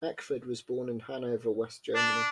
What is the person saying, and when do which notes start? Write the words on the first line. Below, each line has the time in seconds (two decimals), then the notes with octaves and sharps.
Ackford was born in Hanover, West Germany.
1.95 D4